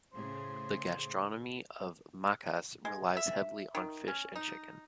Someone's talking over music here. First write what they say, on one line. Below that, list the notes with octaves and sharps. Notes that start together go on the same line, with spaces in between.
The gastronomy of Macas relies heavily on fish and chicken.
A2 C#3 G#4 C5
G#3
E5
D#3
C#4
D#4